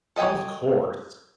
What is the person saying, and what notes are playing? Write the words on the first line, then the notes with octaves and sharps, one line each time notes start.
Of course.
A4 D#5 G5 G#5